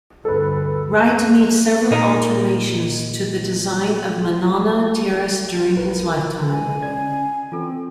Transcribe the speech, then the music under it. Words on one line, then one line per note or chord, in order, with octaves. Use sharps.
Wright made several alterations to the design of Monona Terrace during his lifetime.
D2 G2 A4 B4
A#2 D#4 A#4
A#1 E4 F4 A#4 B4
G#3 G#5
C#4 D4 D5 G#6
E3 C4 F4 A4